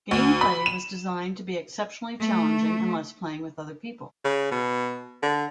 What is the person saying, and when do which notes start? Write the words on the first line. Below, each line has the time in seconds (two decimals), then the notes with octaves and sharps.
Gameplay was designed to be exceptionally challenging unless playing with other people.
0.11 D2
0.41 B5
0.66 E7
2.20 A3
4.24 C#3
4.52 B2
5.22 D3